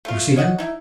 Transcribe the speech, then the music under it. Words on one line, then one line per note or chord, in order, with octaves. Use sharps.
"You see him?"
A3 F4
C#5 D#5 F5 F#5
D#4 E4